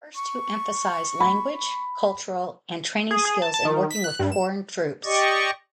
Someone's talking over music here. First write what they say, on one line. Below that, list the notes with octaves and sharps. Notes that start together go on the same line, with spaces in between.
The first two emphasize language, cultural, and training skills in working with foreign troops.
C#6
B5
G#4
G#4
A5
A5
D#3
B6
F#6
G2
E7
G4 D5 D#5 C#6